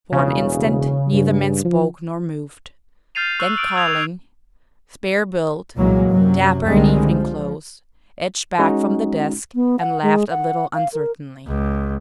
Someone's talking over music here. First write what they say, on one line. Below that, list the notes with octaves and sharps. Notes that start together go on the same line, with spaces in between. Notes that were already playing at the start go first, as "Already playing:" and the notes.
For an instant neither man spoke nor moved; then Carling, spare-built, dapper in evening clothes, edged back from the desk and laughed a little uncertainly.
E1 C#3
G2
F3
F6 G6 A6 C7 D#7 F7
C#6 E6 F#6
D#6 F6 D7 F#7
E6 F#6 G#6 F7
D#6
C2 A#2 E3 F#3 G#3 A#3
F#2 C3 F#3
C2 D3 D#3 G3 G#3 C4
F3
G#3 C#4 D#4 F#4
B3
F#5
G#3
F#5
F5
A#4
C#2